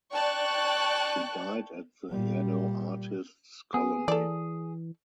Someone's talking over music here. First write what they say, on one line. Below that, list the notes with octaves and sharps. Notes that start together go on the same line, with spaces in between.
She died at the Yaddo artists colony.
D5 G5 A5 C#6 F#6
A#2 G3
B3 G#4
E3 A4 D5